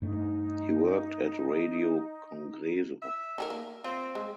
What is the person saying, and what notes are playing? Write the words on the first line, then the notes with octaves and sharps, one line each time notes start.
He worked at Radio Congreso.
G2 A3 D#4
E5
D#4 G#4 A#4
A#3
C4 F4
G#3